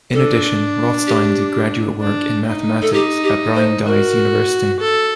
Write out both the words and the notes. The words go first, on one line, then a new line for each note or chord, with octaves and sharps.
In addition, Rothstein did graduate work in mathematics at Brandeis University.
D4 A4
G4
D4
D#4
A4
D#4 G4
G4
C5
F#4 A#4
A4